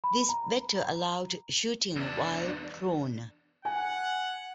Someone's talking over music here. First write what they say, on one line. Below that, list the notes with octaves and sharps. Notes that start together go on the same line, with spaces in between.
This better allowed shooting while prone.
B5
A#5
E2 D4
F#5 G#5